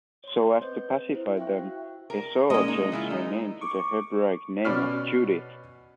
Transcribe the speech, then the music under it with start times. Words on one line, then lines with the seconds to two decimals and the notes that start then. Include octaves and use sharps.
So as to pacify them, Esau changed her name to the Hebraic name "Judith".
0.24 C#5 C6
0.61 C4 B4 C5 D#5 G6
1.11 E4 C5
1.37 E5 F5 G5 C#6 F#6
1.59 F#4
2.10 A#4
2.50 G#3 A#3 C#4 D#5
2.68 D#4
2.92 E3 E4 F4
3.10 D#4
3.61 C#6 D6
4.65 B2 C#4 D5 B5 C#6 F6